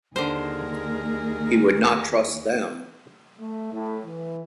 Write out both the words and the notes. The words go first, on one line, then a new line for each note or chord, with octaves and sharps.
He would not trust them.
D#2 D3 G#4 A#4 C5
A3
A2
E3